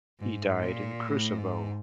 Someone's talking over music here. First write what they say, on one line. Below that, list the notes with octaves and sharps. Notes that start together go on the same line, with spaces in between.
He died in Krusevo.
G#2
A#2
A2
G#2